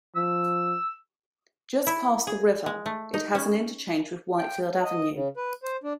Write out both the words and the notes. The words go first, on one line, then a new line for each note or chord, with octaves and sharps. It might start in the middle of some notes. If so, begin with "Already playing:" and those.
Just past the river, it has an interchange with Whitefield Avenue.
F3 E6
E4
G#4
G#3
A3
D#4
C#4
G5
F#3
D#5
C#3
B4
C5
D4